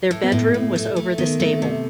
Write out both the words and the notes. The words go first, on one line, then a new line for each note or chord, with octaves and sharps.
Their bedroom was over the stable.
A2
B3
A2 A3
A2
A3
A3
D#3 B3
A3 C4
C3